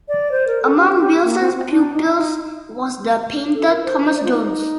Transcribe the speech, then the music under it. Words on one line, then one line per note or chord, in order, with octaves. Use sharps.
Among Wilson's pupils was the painter Thomas Jones.
D5
C5
A#4
A4
G4
G4
A#3
C4
C4
D4
D#4
D#4
A4
A#4
C5
C5
D5
F4
D#4